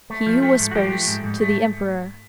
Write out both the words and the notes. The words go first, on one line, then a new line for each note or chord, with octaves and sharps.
He who whispers to the emperor.
A3
F3
A3
G#2
F#4
F3 G4
A3
G#2
G#2
A3